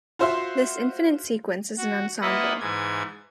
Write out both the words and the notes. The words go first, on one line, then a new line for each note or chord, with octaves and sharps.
This infinite sequence is an ensemble.
F4 F#4 C5 E5 F5 C6
F#4
A#3 E4 F4 B4 D#5 F#5
G#2 E3 G#6